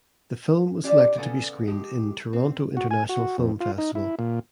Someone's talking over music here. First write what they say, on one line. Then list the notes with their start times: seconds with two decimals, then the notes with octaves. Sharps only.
The film was selected to be screened in Toronto International Film Festival.
0.83 C#4 F4 G4 D5
1.17 C#3 B3 C#4 A4 D5 G#5
1.67 F3 G#3 G4
2.33 C4
2.77 F#4
2.91 G#5
3.09 F#4
3.38 F2
3.60 F4
3.78 D#4
3.95 E4
4.19 A#2